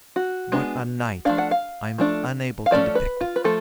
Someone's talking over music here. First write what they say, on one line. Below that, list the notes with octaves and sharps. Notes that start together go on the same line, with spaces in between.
What a night! I'm unable to depict it.
F#4
G#3 B3 D4
F3 A3 D4 F5
F#5
F5
F3 A3 D4
F5
F3 A3 C#4 D5
B4
F4
B4
F3 A3 A4